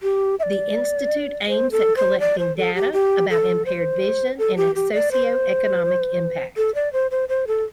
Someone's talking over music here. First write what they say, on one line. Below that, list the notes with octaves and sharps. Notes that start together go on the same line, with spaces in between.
This institute aims at collecting data about impaired vision and its socio-economic impact.
G4
E5
D5
C5
A4
C5
D5
C5
A4
G4
G4
A4
C5
A4
G4
G4
D5
C5
A4
D5
C5
C5
C5
A4